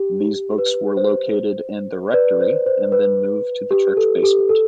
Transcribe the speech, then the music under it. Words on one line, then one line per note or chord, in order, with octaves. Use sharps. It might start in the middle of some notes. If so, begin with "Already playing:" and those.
These books were located in the rectory and then moved to the church basement.
Already playing: G4
B4
C5
B4 D5
C5
C5
B4
G4
A4
G4
A4